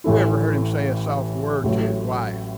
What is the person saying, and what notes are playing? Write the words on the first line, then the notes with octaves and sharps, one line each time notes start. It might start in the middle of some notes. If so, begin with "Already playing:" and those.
Who ever heard him say a soft word to his wife?
A1 A2 E3 A3 E4
A1 A2 F#3